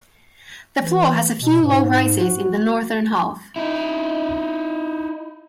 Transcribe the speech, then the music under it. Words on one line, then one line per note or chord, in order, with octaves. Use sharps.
The floor has a few low rises in the northern half.
E3
B2
G#2
F#4
D#4 E4